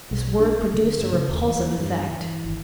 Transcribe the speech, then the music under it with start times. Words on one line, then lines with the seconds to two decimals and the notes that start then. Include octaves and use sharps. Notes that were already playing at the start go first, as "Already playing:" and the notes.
This word produced a repulsive effect.
0.11 B1
0.40 D4
0.59 A3
0.74 D3
0.97 G2
1.12 C#3
1.31 D#2
1.47 E3
1.78 G2
2.11 E3
2.44 G#1